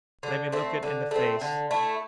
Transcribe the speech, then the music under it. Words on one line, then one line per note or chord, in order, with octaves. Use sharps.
Let me look it in the face!
D3
A3 C4
D3
A3 C4
D3
A3 E4